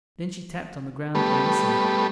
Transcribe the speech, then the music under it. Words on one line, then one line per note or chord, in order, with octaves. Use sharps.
Then she tapped on the ground and listened.
G3 A3 B3